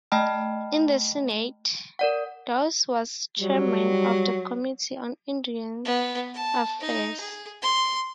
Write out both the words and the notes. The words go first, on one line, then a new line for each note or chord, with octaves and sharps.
In the Senate, Dawes was chairman of the Committee on Indian Affairs.
A3 D#5 G5 A5 B5 F6
A#4 D5 F#5
F#3 G3
B3
A5
D#4
G#4
C6